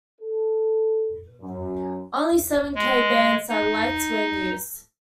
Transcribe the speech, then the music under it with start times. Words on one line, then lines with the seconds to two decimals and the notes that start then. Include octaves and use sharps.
Only seven K band satellites were in use.
0.21 A4
1.41 F#2
2.75 G#3
3.49 D#4